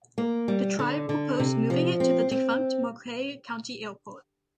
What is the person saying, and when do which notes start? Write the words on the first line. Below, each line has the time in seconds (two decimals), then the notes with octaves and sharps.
The tribe proposed moving it to the defunct Marquette County Airport.
0.18 A#3
0.48 G3
0.79 D3
1.09 D3
1.40 C3
1.70 F3
2.00 C4
2.31 C4